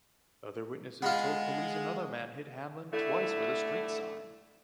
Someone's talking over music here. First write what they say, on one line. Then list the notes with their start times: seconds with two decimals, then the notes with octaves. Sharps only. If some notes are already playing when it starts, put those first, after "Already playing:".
Other witnesses told police another man hit Hamlin twice with a street sign.
1.02 G#3 B3 F4
2.92 A2 D3 A3 E4